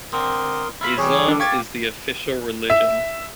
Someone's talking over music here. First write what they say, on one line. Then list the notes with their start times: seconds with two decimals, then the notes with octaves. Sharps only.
Islam is the official religion.
0.13 D3 C4 A#4 C6 D#6
0.81 E4 F4 B5
0.98 E3 G3 G#4 C#5
1.28 D4 A4
1.40 G4 F5 C#6 G#6 A6
2.70 E5